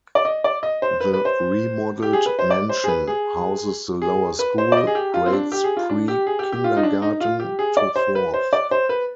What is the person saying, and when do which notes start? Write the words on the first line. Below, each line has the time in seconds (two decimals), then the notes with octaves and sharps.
The remodeled mansion houses the lower school, grades pre-kindergarten to fourth.
0.15 D5
0.25 D#5
0.44 D5
0.63 D#5
0.82 C5
1.00 B4
1.13 B4
1.25 C5
2.02 G4
2.13 G#4
2.26 B4
2.39 C5
2.51 D5
2.69 C5
2.84 G#4
2.88 B4
3.08 G#4
4.02 G#4
4.39 B4
4.58 C5
4.72 D5
4.77 D#5
4.87 G#4
4.95 G4
5.14 F4
5.26 C4
5.33 D4
5.52 G4
5.64 G#4
5.77 F4
5.90 D4
6.08 G4
6.27 G#4
6.39 G4
6.52 G4
6.64 F4
6.77 D#4
6.83 D4
7.02 D#4
7.21 F4
7.40 G4
7.59 G#4
7.77 D5
7.96 C5
8.15 B4
8.34 C5
8.53 D5
8.71 C5
8.89 B4